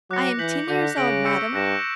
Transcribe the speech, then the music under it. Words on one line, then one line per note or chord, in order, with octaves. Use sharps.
"I am ten years old, madame."
F#3 D6 F#6 A#6 C#7
E3 G6 B6 F#7
D3 D6 G6 A#6
C#3 D6 G6 A#6 D7 F#7
C#6 E6 G6 C#7
G2 F#6 A#6 E7